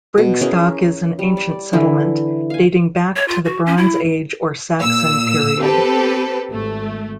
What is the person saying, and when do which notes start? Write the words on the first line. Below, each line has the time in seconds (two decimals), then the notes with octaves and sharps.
Brigstock is an ancient settlement, dating back to the Bronze Age or Saxon period.
0.18 B2
0.41 C#4 E4 G#4 A#4
1.19 G3
1.37 D5
1.73 D3 E3 E4
2.50 F5 G#5
3.16 C#5
3.28 F4
3.45 F#4
3.66 C#4
3.77 E4
4.81 A#2 E6
5.60 C4 G4 A4 B4
6.52 G#1 A3